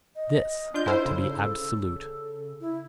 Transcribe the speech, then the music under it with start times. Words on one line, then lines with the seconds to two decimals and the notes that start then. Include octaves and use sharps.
This had to be absolute.
0.16 D#5
0.74 D4 F4 G6
0.86 E4 A4 C5 F5
1.05 C#3
2.61 E4